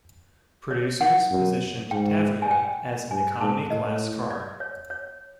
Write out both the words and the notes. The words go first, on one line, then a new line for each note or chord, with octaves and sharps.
Producers positioned Tavria as an economy-class car.
C#5
F#5
F#2
G#2 G5
G#5
G5
G2 G#5
G#2 A5
A2 D#5
D5
C#5
C#5